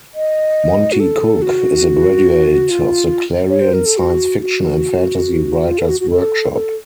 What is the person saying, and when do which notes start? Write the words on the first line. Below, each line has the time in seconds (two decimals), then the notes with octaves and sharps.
Monte Cook is a graduate of the Clarion Science Fiction and Fantasy Writer's Workshop.
0.15 D#5
0.92 F#4
1.00 A4
1.42 F#4
2.70 F4
3.49 C#5
3.61 C5
3.73 A#4
3.85 A4
3.98 F#4
4.40 F#4
5.67 F4
5.79 A4
5.89 F#4
6.00 F#4
6.11 A4
6.53 A4